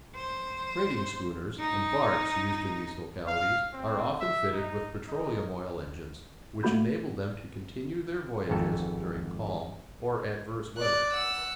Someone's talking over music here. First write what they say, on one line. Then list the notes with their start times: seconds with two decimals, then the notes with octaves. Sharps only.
Trading schooners and barques used in these localities are often fitted with petroleum oil engines, which enable them to continue their voyages during calm or adverse weather.
0.15 C5
1.60 D#4
3.27 F5
3.73 C4
4.20 E5
4.53 D#4
5.08 D#4
6.63 A3 A#3 F#4 B5 G6
8.49 G#1 F2 G#2 A4
10.77 D5 F#6
11.11 F#5 E6